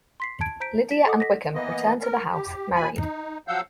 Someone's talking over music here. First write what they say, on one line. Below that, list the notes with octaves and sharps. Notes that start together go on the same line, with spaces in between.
Lydia and Wickham return to the house married.
C6 B6 C7
A5 G#6 D7
C5 A#5 G6 B6 D7
B6
A4 D#5 F#5 D6 D#6
A#6 B6
E3 A#3 B3 D#5
A#4
G4
D#2 A#2 F3 G#5 B5
D#4
F3 F#3 F5 F#5 E6 G6